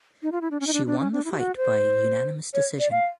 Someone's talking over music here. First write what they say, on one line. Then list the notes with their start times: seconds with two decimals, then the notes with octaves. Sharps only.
She won the fight by unanimous decision.
0.22 D#4
0.32 F4
0.41 E4
0.51 D4
0.60 C#4
0.67 D#4
0.73 D4
0.87 D4
0.99 C#4
1.12 D4
1.25 E4
1.32 G4
1.38 F#4
1.57 C5
2.54 C#5
2.79 D5
2.91 F5